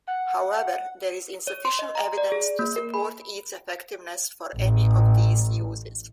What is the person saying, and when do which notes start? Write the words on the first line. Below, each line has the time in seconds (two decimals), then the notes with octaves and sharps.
However, there is insufficient evidence to support its effectiveness for any of these uses.
0.08 F#5
1.47 C#5
1.65 C6
1.79 D#5
1.95 A#5
2.18 D5
2.32 G#4
2.59 A#3
2.76 A#4
2.94 B5
4.56 A1 A2